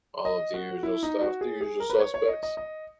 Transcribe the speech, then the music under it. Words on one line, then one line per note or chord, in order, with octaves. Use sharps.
All of the usual stuff the usual suspects.
D#5
F#4
E4
D#4
F#4
G#4
G#4
A#4
B4
C#5
C#5
D#5
D#5
D#5